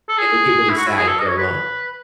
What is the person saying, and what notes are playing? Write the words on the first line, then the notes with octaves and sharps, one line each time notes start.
Yeah, they get really sad if they're alone,
A4
G#4
E4
F#4
E4
G#4
A4
D#5
C#5
B4